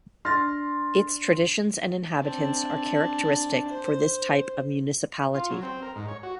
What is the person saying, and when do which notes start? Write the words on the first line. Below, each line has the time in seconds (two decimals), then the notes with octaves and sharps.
Its traditions and inhabitants are characteristic for this type of municipality.
0.25 D4 C6 F6 A6 A#6
2.21 C4 D4
3.68 C5
5.34 F4
5.50 F#3
5.63 C4
5.82 A#4
5.96 G#2
6.08 C#5
6.23 F#4